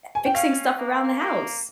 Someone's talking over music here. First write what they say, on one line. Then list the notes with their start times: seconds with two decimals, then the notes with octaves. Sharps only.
e fixing stuff around the house
0.15 G#5
0.26 G5
0.34 C#4 F5
0.77 A#3
1.20 A#3